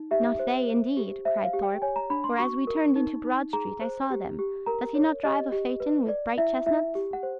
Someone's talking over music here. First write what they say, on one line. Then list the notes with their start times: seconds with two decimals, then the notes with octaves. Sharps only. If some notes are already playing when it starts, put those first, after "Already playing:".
"Not they indeed," cried Thorpe; "for, as we turned into Broad Street, I saw them--does he not drive a phaeton with bright chestnuts?"
Already playing: D#4
0.11 G4 E5
0.39 C5
0.68 C5
0.97 G4
1.25 C5 E5
1.44 F5
1.54 G4
1.63 G5
1.82 C#5 G#5
1.96 A#5
2.10 D4 B5
2.24 C6
2.38 F#4 C#6
2.67 A#4
2.96 D#4
3.24 D#4
3.53 G#4 A#5
3.81 C5
4.10 G4
4.39 G4
4.66 A#4 A#5
4.95 C#5
5.24 G4 D#5
5.52 G4
5.80 B4
6.08 D5
6.38 E4 E5
6.66 E4 E5
6.95 G4
7.13 F#5
7.23 C5